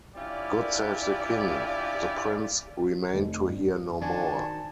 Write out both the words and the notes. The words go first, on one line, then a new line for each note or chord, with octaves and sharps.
God save the king! The prince remained to hear no more.
C#4 D4 E4 F4 G4 D5
F1
G2
D#3 D4 F#4 C5 G#5 A5